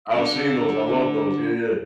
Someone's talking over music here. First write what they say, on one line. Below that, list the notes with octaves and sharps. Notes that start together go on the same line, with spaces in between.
I've seen those, I love those yeah, yeah.
D4 A4